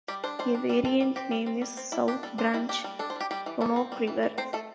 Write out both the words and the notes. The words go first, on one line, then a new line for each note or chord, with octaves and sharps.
A variant name is "South Branch Roanoke River".
G3 G4
D4 C5
G3 C5
D4
G3
C4 A4
G3
C4 G4
G3
C4
G3
C4
G3 E4
D4 G4
G3 A4
D4 C5
G3 E4
D4 G4
G3
D4 A4
C5
G3 G4
G3 G4
E3
E3 A4
C4
G3
E3
E3
C4 C5
A3 A4